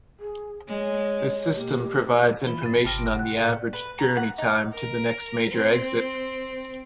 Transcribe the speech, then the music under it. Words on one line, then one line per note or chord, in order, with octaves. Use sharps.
This system provides information on the average journey time to the next major exit.
G#4
G#3 C#5
B2 A#3 G4
E3 F3 E4 G7
G#2 A6 D#7
G1 C3 C4 A5 F6 A#6
D7
F#5 F#6
A2 A3 D5 F#5 C#6
B4
A#5
F#5
D#4
A#4
C4